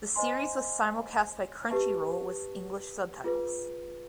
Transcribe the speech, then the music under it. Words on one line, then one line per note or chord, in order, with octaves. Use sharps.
The series was simulcast by Crunchyroll with English subtitles.
C5 D#5 G#5 C6
G4 B4 E5 A5 C#6
F4 G#4 B4